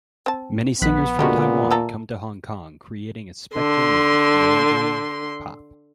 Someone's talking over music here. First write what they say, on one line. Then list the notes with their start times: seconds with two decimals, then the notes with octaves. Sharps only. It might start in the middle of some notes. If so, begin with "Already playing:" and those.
Many singers from Taiwan came to Hong Kong creating a spectrum of Mandarin pop.
0.26 C4 A5
0.81 A#1 B3 F#6 B6
1.19 A#2 D3 G#3 D4 F#4 G4 A#4
1.71 A3 A4 A#5
3.55 D3 C6